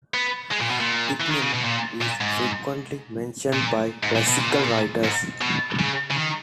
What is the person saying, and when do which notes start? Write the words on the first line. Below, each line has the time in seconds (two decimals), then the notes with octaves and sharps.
Ticinum is frequently mentioned by classical writers.
0.14 B3
0.51 G#3
0.61 A#2
0.70 B2
0.80 A#2
1.20 E3
1.31 D#3
1.42 C#3
1.53 B2
1.64 A#2
2.02 A#2
2.21 G#2
3.53 A#2
4.03 G#2
4.15 A#2
4.28 B2
4.40 A#2
4.51 B2
4.64 A#2
5.04 G#2
5.41 B2
5.79 C#3
6.11 C#3
6.16 D#3